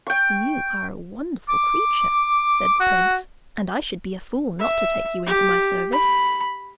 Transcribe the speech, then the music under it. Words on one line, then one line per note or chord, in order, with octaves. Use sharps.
'You are a wonderful creature,' said the prince, 'and I should be a fool not to take you into my service.
G5 C#6
D6
F#4
E5
G4
B5